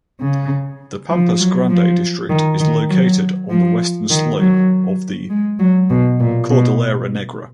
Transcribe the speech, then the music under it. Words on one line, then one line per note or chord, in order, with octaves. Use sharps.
The Pampas Grande district is located on the western slope of the Cordillera Negra.
C#3
F3
F#3
F3
D#3
D#3
F#3
F3
D#3
F#3
G#3
F#3
B2
A#2
B2